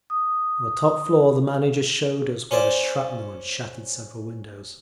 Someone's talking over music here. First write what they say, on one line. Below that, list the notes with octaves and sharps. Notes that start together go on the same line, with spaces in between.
On the top floor the manager showed us where shrapnel had shattered several windows.
D#6
C#4 C5 D5